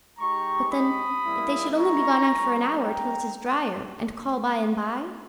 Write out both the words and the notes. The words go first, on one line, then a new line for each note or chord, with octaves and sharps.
"But then, if they should only be gone out for an hour till it is dryer, and call by and by?"
G#3 D#4 G4 A#5 C#6
B5 D#6
G3 A#3 E4
A#5 C#6
G3 A#3 C#4
G5 A#5